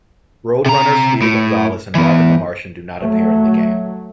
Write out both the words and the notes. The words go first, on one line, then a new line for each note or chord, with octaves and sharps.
Road Runner, Speedy Gonzales and Marvin the Martian do not appear in the game.
C3 A#5
A2
E3 B3
F#3 A3